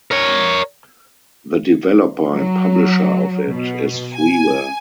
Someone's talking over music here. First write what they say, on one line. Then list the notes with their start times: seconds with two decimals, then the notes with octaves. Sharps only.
The developer and publisher of it is freeware.
0.11 A#4 C#5
2.34 F#3
3.51 B2
4.15 G#5